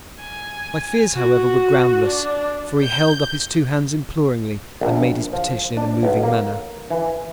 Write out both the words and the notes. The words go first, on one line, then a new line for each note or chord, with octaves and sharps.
My fears, however, were groundless, for he held up his two hands imploringly, and made his petition in a moving manner.
G#5
F#4
D4
G6
A#1
F3
D4
B1
A#3
E3